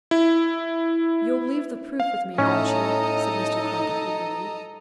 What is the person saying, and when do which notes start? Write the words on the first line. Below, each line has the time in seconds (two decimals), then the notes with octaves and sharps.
"You'll leave the proof with me, won't you?" said Mr. Cropper eagerly.
0.11 E4
2.00 F5
2.38 A2 C#4 D#4 A4 D#5 A#5